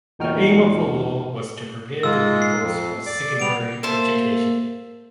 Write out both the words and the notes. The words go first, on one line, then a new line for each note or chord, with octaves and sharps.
The aim of the law was to prepare the pupils for secondary education.
E2 A#2 D#4 F#4 G5 F6
G#2 G#3 F4 E6
C7
F2
D5 D6
G3 B3 D7 F7
A#3 C5 E5 A5